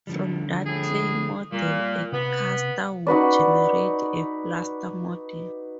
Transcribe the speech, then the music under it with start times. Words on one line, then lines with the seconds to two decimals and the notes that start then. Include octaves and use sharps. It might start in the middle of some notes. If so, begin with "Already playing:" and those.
From that clay model a caster would generate a plaster model.
0.07 D3 F3 G3
0.65 A2 G#4
1.52 A#2 G3
2.12 C3 B3
3.07 D#4 F#4 B4 D5